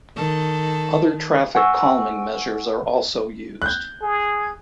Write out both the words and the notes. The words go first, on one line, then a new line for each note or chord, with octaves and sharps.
Other traffic calming measures are also used.
D#3 A4
F#5 G#5 C#6 E6
F#6 G6
G#4